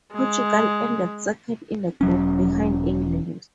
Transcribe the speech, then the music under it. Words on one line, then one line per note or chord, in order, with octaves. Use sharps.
Portugal ended second in the group, behind England.
G#3
E1 F#3 C#4